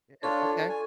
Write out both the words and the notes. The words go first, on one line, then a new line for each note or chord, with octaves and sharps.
Yeah. Okay.
D4 F4 A4 C#5 C#6
G#5